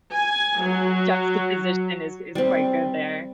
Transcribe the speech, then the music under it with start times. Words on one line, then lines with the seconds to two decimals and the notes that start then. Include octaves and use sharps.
juxtaposition is is quite good there.
0.13 G#5
0.61 F#3
2.35 G3 C4